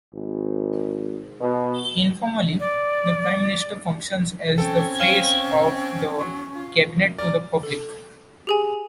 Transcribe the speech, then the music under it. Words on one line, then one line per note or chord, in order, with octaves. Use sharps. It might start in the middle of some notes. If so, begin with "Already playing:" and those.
Informally the Prime Minister functions as the "face" of the cabinet to the public.
G#1
B2
D5
C4 C#4 A4 G5
C#5 F5 F6 D#7 E7 G7
E2 F#3 C#6
F4
F#2
C#4 A#4 D5
A4
G4 G#4 G#5